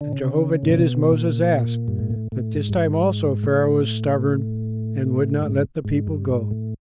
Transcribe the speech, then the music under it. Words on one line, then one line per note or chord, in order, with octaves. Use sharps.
And Jehovah did as Moses asked; but this time also Pharaoh was stubborn and would not let the people go.
D3
C#3
A2
A#2
B2
A#2
G2
G#2
A2
A2
G#2
G2
G#2
A2
G#2
G#2
G2
G#2
A2